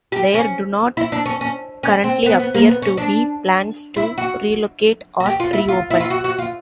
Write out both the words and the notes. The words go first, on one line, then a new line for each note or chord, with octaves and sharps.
There do not currently appear to be plans to relocate or reopen.
G4
C#4
E4
D4
C#4
C#4
C#4
C4
B3
B3
A#3
B3
C#4
D4
E4
F#4
F#4
G4
F4
E4
F4
E4
F4
F#4
F#4
F4